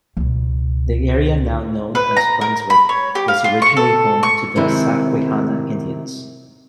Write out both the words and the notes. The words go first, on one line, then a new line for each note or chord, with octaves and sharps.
The area now known as Brunswick was originally home to the Susquehanna Indians.
C#2 B2
B4
A#5
A#4
B5
C#5
G4
F5
F4
C#6
A4
C#6
C3 D#3 G#3 C4 E4